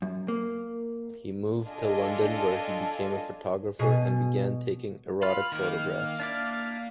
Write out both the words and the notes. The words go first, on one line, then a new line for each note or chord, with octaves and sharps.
He moved to London where he became a photographer and began taking erotic photographs.
F#2
A#3
D4 F4 A4 D#5 G#5
B2 G#4
F4 B5 F6
D#3 A#3
D4 E4 D5